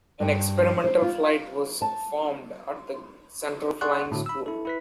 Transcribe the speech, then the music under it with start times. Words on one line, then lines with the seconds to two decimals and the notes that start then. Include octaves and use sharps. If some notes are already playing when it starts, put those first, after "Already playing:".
An "Experimental Flight" was formed at the Central Flying School.
0.20 G2
0.84 C5
1.02 F4
1.82 A5
3.81 G#4 D5 F#5 C6 C#6 F#6
4.11 A2 D3 F#4
4.26 B5 E6
4.46 E4 A4
4.65 E4 B4 B6